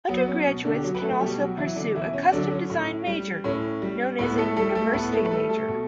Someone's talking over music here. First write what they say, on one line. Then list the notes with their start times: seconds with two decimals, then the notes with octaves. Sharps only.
Undergraduates can also pursue a custom-designed major, known as a University Major.
0.09 F#3 B3
0.23 B3
0.28 C#4
0.46 B2
0.65 D3 D4
0.75 G4
0.83 F#3 F#4
0.95 B4
1.02 A3 A4
1.20 B2 G3 G4
1.39 F#3 F#4
1.57 E3 F#3 E4
1.76 D3 D4
1.95 B2 E3 E4
2.13 C#4
2.32 D3 F#3 D4
2.51 C#4
2.70 A2
3.07 G3
3.44 A2 C#4
3.82 G3
4.19 A2 B3 B4
4.38 A3 A4
4.56 G3 A3 A4
4.70 G4
4.75 A3 A4
4.93 A2 B3 B4
5.13 A3 A4
5.25 B4
5.31 G3 A3 A4
5.49 A3 A4
5.69 B2